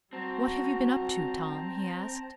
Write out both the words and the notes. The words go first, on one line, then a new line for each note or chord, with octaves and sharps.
"What have you been up to, Tom?" he asked.
G3 C4 F#4 A5 A#5